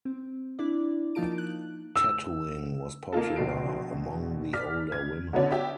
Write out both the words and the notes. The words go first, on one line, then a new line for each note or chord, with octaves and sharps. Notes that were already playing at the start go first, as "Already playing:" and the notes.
Tattooing was popular among the older women.
C4
D4 E4 D5
F3 A#3 D#4 F4 A5 D7
F#6
E6
A#3 D#4 F4 A4
A#1 B2 C7 D7
D5 F6 B6
G#6
D3 F#3 B3 C#4 D4
G4 E5